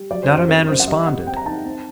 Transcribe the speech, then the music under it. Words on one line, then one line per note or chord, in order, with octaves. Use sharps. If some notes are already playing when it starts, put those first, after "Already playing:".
Not a man responded.
Already playing: G3
F#3 D5
C5
F#2
C5
C4 A#4
F#2 C5
F#5
G3 D#5
C4 F#5
C4 G5
A#5
D#4 A5
C4